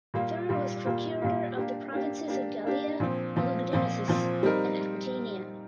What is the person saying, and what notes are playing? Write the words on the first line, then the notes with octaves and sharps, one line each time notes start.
Third was procurator of the provinces of Gallia Lugdunensis and Aquitania.
A#2 G3 A#3 F4
A#2 G3 A#3 F4
A#2 G3 A#3 F4
A#2 G3 A#3 F4
A#3 D4 G4
A#3 D4 G4
A#3 D4 G4
A#3 D4 G4
A#2 F3 C4
A#2 F3 C4
A#2 F3 C4
A#2 F3 C4
G3 C4 D#4 A#4